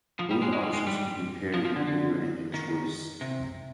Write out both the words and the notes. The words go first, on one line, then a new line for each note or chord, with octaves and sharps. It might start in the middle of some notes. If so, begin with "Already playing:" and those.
Both options could be paired with either engine choice.
F3
G3
G#3
G#3
G3
G#3
G3
F3
F3
D3
D3
D#3
C3